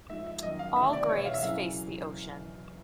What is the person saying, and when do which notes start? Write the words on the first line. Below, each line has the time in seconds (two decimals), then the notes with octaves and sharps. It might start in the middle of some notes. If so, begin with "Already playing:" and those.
All graves face the ocean.
0.10 G#2 F3 E5
0.27 E5
0.43 F#2 D#3 D#5
0.59 F5
0.76 D2 C3 D#3 E5
0.93 D5
1.09 E2 B2 C#5
1.17 E5
1.25 F5
1.34 E5
1.42 F#2 C#3 E3 F5